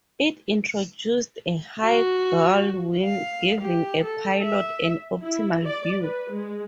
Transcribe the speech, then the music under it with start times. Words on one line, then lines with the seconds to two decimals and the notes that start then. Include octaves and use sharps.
It introduced a high gull wing, giving a pilot an optimal view.
1.84 F#4
3.04 F5
3.61 G4
4.04 A4
4.42 E5
5.22 E4
5.65 D5
6.00 B4
6.33 G#3